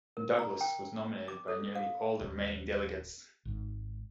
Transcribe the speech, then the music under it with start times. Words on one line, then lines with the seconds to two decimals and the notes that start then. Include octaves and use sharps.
Douglas was nominated by nearly all the remaining delegates.
0.17 A#4
0.39 A#5
0.61 G5
1.28 D6
1.48 A4
1.75 F5
2.21 D#1
3.45 G#1 G#2